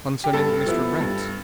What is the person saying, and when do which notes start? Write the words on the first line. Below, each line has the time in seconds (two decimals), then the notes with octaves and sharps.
"Concerning Mr. Wrent."
0.24 G4
0.33 G2 A4
0.66 F3 B3 E4
1.01 G2